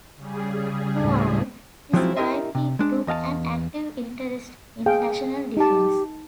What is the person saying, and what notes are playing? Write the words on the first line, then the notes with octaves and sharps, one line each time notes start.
Throughout his life he took an active interest in national defence.
C#3 G3 G#4
D2 A2
F3 F#3 G#3 C4 E4 F4
E4 F4 G4 A#4 D#5 E5
C3
G#3 D4
E2 D#5 F5 A5
G#4 F5 G5
D#4 G4 A5